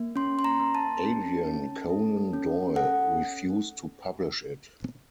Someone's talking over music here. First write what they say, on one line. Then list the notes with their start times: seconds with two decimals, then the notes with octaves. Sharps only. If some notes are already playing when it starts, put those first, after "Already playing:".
Adrian Conan Doyle refused to publish it.
Already playing: A#3
0.16 C#4 C6
0.39 C6
0.44 A#5
0.60 A#3
0.75 A5
1.03 C#4
1.47 C#4
1.89 A4
2.33 C#4
2.76 A4 F#5